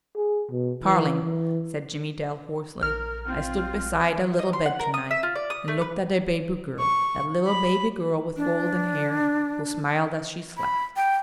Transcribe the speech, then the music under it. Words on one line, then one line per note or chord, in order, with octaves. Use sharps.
"Carling," said Jimmie Dale hoarsely, "I stood beside a little bed to-night and looked at a baby girl--a little baby girl with golden hair, who smiled as she slept."
G#4
B2
E3
E3
A#1 A#4 F6
C4 F4
D#5
C6
F#5
A#4
D#6
E5
F4
D5
D#6
A3
B4
C#6
B5
D4
B5
G5